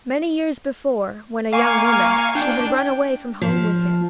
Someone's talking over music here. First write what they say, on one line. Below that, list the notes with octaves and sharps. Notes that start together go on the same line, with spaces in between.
Many years before, when a young woman, she had run away from home with him.
A#3 F5 G#5 C#6
D4 G5
F3